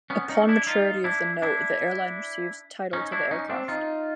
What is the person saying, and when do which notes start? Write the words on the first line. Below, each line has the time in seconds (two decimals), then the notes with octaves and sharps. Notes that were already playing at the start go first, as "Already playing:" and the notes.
Upon maturity of the note, the airline receives title to the aircraft.
0.10 B3 C#4
0.29 C#4 D#4
0.48 D4 E4
0.67 D#4 F4
1.04 D4 E4
1.42 D4 E4
2.93 C#4 D#4
3.12 D4 E4
3.31 C#4 D#4
3.50 C4 D4
3.68 D#4 F4